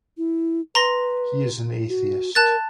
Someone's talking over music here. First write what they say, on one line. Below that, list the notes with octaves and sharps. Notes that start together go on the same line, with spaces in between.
He is an atheist.
E4
B4 A#5 C6 A#6
F#4
A#4 A5 F#6 A6